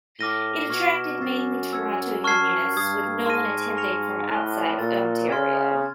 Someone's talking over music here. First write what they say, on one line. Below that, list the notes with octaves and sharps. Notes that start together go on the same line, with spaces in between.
It attracted mainly Toronto unionists with no one attending from outside of Ontario.
A2 D6 F6 A#6 D#7 G7
B2 C#6 F6 G#6 C#7 E7
F#2 C#6 E6 A6 C7
E6 G#6 C#7
A5 C#6 F6 G#6 C7
G2 D#6 G#6 C7
G#2 A5 C6 F6 A#6 D#7
C#6 F6 A#6 C#7 F7
A2 F#6 B6 D#7 G7
A#2 B5 E6 A6
C#3 C6 F6 G#6